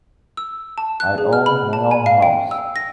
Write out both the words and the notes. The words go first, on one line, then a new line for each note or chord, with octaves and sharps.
I own my own house.
E6
A5
F#6
G#4
F6
B5
A5
G#5
F5
G5
E6
A#6